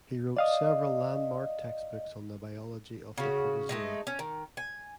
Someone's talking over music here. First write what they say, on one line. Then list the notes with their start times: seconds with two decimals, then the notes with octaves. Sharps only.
He wrote several landmark textbooks on the biology of the protozoa.
0.37 D5 D#5 F5 D#6
3.18 C#3 F#4
3.69 G#3 A3 D#4
4.07 C#4
4.19 D#3
4.57 G#5